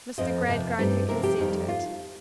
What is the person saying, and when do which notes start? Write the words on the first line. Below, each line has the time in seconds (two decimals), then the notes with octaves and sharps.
Mr. Gradgrind had consented.
0.18 F2 F3 C4 D#5
0.48 F2 C3 F3 A#3
0.78 G2 G3 C4 D#4
1.08 C3 F3 C4 A#4
1.23 G4
1.39 F2 D#3 G3 D#4
1.68 F4